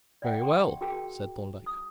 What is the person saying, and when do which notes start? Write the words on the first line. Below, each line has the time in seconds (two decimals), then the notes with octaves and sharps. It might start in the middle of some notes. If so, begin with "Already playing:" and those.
"Very well," said Thorndyke.
0.22 D5 E5 F#5 G5
0.42 G5 C6 C#6
0.81 F#4 G#4 A#4 G5 A5
1.66 D#6